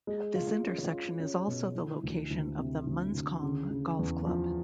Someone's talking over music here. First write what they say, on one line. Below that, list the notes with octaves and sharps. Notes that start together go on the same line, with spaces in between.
This intersection is also the location of the Munscong Golf Club.
G#3
F4
C#4
F4
C#4
B2
E3
D2
D2
C3
D2
D2
C#3
C#3
E2
F3